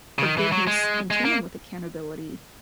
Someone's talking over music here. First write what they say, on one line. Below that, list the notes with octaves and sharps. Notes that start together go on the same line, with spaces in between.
forgiveness in tandem with accountability,
C#3
D#3
E3
F#3
G#3
G#3
A#3